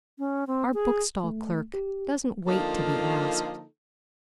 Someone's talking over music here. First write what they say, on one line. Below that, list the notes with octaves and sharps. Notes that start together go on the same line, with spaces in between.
Our bookstall clerk doesn't wait to be asked.
C#4
C4
G#4
A3
G4
D3 F3 A#3 D#4 F4 A4